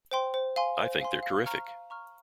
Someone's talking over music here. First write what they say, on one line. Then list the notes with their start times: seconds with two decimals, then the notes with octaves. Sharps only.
I think they're terrific.
0.11 C5 G5 C6
0.34 C5
0.56 F5 G#5 C6
0.79 C5
1.01 F5 G#5 C6
1.23 F5
1.46 A#5 C#6 F6
1.68 F5
1.90 A#5 C#6 F6